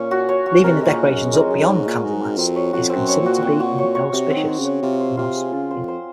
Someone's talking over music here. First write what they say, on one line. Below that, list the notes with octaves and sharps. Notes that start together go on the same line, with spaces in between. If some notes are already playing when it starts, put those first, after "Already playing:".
Leaving the decorations up beyond Candlemas is considered to be inauspicious.
Already playing: A#2 A#3 C#4 C#5
F#4
C#5
F#4
C3 A#4
A#2 G#3
D#4
F#2
G#3
F2 G#3
F#2 G#3
G#2 G#3
A#2 G#3
G#2 F#4
C4
F2 C4
C#5
F2 F#4
C4
F#2
C#5
A#2
F#4
C4
F#4
C#5
C#5
C3 F#4
C4
D#3
C4
C#3
C#5
C3 F4
C5
C3 F4
G#4
C#3 F4
C5
F2
C5